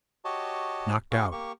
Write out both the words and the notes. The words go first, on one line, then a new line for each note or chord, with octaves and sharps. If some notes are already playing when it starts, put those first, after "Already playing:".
Knocked out.
F#4 G4 C#5 D#5 A5
F#4 G#4 F5 C#6
A#3 G4 C#6